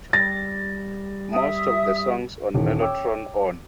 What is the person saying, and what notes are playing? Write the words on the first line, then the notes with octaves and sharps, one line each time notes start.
Most of the songs on Mellotron On!
G3 A6 A#6
E5 D#6
D#1 D#3 E3
C#5 G5 D6 E6